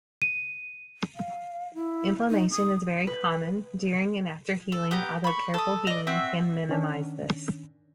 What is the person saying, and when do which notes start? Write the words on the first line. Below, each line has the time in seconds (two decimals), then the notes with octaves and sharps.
Inflammation is very common, during and after healing, although careful healing can minimize this.
0.22 D#7
1.15 F5
1.74 E4
2.30 D#4
2.51 D#6
3.07 B4
4.72 A4
4.91 B3 G4 G5 A#5
5.24 B5 C#6
5.54 A4 D#6
5.87 D5 D#5
6.07 C4 F#4 E5
6.69 D#3 C#4 D4